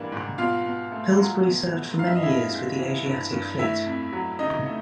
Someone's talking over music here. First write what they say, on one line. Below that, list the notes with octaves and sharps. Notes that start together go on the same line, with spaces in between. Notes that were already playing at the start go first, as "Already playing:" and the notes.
"Pillsbury" served for many years with the Asiatic Fleet.
Already playing: G#2 E3 G3 A#3 D4
G#2
B2 F4 F5
B2
A3
F#3
B2
B2
G2 F5
E5
D#5
G2 E4 E5
G#3
E3
G2
G2
A3 E4 E5
F2
F#3
C#3 D#4 D#5
A3